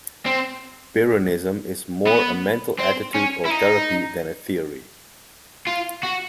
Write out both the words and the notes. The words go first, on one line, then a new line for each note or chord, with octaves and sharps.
Pyrrhonism is more a mental attitude or therapy than a theory.
C4
B3
C4
C#4
E4
D#4
F4
F#4